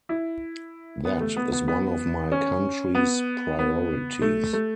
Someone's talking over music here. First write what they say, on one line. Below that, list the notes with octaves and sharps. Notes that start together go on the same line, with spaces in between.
That is one of my country's priorities.
E4
B3
A3
B3
B3
B3
C#4
B3
B3
A3
A3